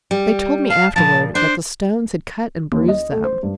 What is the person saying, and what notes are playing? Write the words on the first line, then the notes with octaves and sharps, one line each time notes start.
They told me afterward that the stones had cut and bruised them.
G3
F5 A5
A#2 F3 A5
D4 C5
D#2
D#5
A3
C5
G2